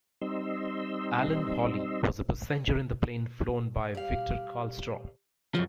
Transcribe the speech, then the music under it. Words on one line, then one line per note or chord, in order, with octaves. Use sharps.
Alan Hawley was a passenger in the plane flown by Victor Carlstrom.
G3 C4 D#4 D#5 C6 E6
G3 F5
F#2 C#3 F3 F#3